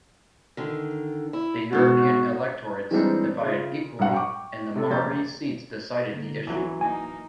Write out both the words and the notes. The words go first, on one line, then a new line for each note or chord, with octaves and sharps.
The European electorates divided equally and the Maori seats decided the issue.
D3 D#3
E4
G#2 B2 F#4
E3 G3 G#3 C4 D4 D#4
C#3 F4
B1 G2 F#5
G5 C#6 D6
C3 A4
F1 A#3 G4 G6 A6
D3 A#3
A1 F#2 E3 F#3
D1 A#3 D#4 G#5